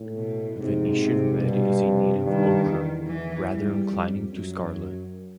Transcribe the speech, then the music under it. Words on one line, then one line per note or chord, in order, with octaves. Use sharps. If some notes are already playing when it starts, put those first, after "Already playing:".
Venetian-red is a native ocher, rather inclining to scarlet.
Already playing: A2
B2
G#2 C3
C3
G2 B2
C3
G2 D#3
E2
E3
G3
F2
F#2 F#3